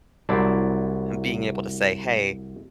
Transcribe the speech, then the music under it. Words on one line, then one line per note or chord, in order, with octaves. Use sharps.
being able to say, "Hey,
C2 F#3 E4 C5 D5 A5